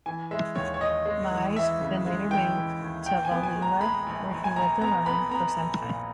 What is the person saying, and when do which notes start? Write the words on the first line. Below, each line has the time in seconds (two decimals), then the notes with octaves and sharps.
Mige then later moved to Vallila, where he lived alone for some time.
0.06 E3 G#5
0.31 G#3 E5
0.55 D#2 C#5
0.74 C#5
0.80 D#2 D#5
1.06 G#3
1.31 E3
1.56 E3 E5
1.81 C#3
2.06 G#3
2.31 E3 G5
2.56 E3
2.81 D#2
3.06 A#1 G5
3.25 G#5
3.31 B3
3.43 G#5
3.55 G#3
3.62 A#5
3.81 G#3 B5
4.07 A#1
4.31 A#1
4.44 G#5
4.56 A#1 A#5
4.81 B3 A#5
5.06 B3 B5
5.31 B3 A#5
5.56 A#1
5.82 A#2